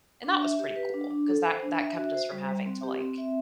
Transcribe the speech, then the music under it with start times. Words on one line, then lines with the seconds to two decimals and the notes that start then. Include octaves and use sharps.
and that was pretty cool 'cause that that kept us from having to like
0.24 D4
0.42 E5
0.59 G4
0.76 B4
0.94 D4
1.11 D4
1.28 A4
1.46 C5
1.62 D4
1.80 E5
1.97 F#4
2.14 C5
2.32 G3
2.48 G3
2.66 C4
2.83 G4
3.01 C4
3.18 E5